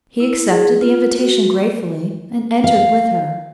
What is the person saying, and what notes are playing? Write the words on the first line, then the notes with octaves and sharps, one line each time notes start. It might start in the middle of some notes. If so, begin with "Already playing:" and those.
He accepted the invitation gratefully, and entered with her.
E4
G#4
F4
F#4
F5